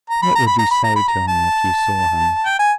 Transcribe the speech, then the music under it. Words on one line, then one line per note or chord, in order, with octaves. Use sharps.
"What would you say to him if you saw him?"
A#5
B5
A#5
B5
A#5
B5
A#5
B5
A#5
A5
G5
G#5